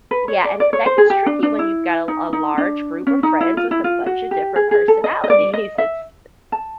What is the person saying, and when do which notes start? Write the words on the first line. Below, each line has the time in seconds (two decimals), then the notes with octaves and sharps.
yeah, and that gets tricky when you've got a a large group of friends with a buncha different personalities, it's
0.11 B4
0.28 C#5
0.44 D5
0.60 D5
0.73 C#5
0.86 C5
0.98 G#4
1.10 G4
1.26 D4
1.43 D4
1.59 E4
2.08 D#4
2.33 D#4
2.58 D4
3.07 C#4
3.23 D#4
3.41 E4
3.57 F4
3.71 E4
3.84 F4
4.06 F#4
4.31 G4
4.56 G#4
4.71 G#4
4.88 A4
5.04 D#5
5.24 D#5
5.30 D5
5.53 D#5
5.78 E5
6.52 A5